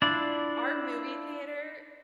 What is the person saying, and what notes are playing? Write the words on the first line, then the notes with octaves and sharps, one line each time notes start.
our movie theater?
D4 E4 F4 D5